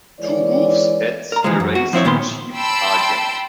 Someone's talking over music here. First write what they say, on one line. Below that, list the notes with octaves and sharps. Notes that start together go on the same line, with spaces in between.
Two Wolves heads erased in Chief Argent.
E3 G#3 C#5 D5
A#4 A#5
D#2 E3 F3 G#3
F#2
F#4
F3 C4 E4 C#5
A#2 D#3 B3 C#4 C6
G5 A5 B5 C6 E6 D7